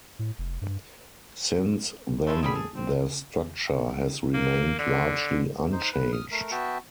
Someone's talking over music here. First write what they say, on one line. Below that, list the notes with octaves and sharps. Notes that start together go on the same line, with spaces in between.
Since then, their structure has remained largely unchanged.
A2
F1
G2
F3 G#3 A3 E4
D3 G3 G#4 B5
A4
C4
A#3
D3
D#4 C5
B4
D#6 F6
A3 A#4
B3 F#4 E5 G5 A5